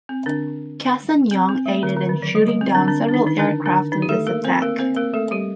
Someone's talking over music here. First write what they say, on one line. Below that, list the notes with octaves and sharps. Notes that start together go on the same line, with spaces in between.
"Cassin Young" aided in shooting down several aircraft in this attack.
C4
D3 D4
C4
C4
A3
D3
D3
D#3
F#3
G3
G3
C4
D3 D4
D3 D4
D4
D#3 D#4
D#3 D#4
D3 D4
D3 D4
D#3 D#4
G4
A3 A4
A#3 A#4
C4 C5
A#3 A#4
C4 C5
A#3 A#4
A3 A4
G3 G4